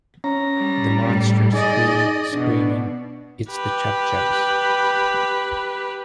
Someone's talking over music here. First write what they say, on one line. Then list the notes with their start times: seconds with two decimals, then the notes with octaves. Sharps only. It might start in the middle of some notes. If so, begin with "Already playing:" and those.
The monsters flee, screaming, It's the ChubbChubbs!
0.24 C#4 A#5
0.57 G3
1.10 A2
1.53 D#4 G#4 D5 D#5
2.33 B2 D4
3.51 G4 B4